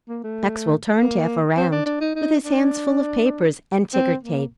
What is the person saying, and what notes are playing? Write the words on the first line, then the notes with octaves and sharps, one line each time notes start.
Maxwell turned half around, with his hands full of papers and ticker tape.
A#3
A3
A#3
C4
D4
D4
D#4
D#4
D4
C4
A#3